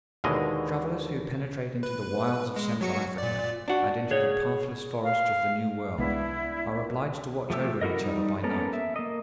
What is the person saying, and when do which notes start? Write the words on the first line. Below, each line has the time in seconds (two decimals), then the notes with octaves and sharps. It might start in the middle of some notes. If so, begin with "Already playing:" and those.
Travellers who penetrate into the wilds of central Africa, and into the pathless forests of the New World, are obliged to watch over each other by night.
0.24 D#2 B2 D3 E3 G#3 D#5
1.83 B4
2.56 G#3
2.81 F#3 F#4 C#7
3.18 A#2 D5
3.68 D4 F#4
4.11 G#4 C#5
5.03 F5
5.98 C2 G#3 B3 D4 E4
7.50 F3 A3 G4 E6
7.81 E4 F#4 A4 A#4 D#5
8.01 G3 D#4
8.43 A#3 B3 C#4 A4 A#4
8.73 E5
8.96 A#3 D#5